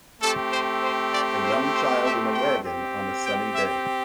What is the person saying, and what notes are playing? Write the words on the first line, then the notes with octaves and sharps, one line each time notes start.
A young child in a wagon on a sunny day.
A3 C4 G4 A4
C5
C5
D5
C5
C5
E5
G5
C4 G4
G5
E5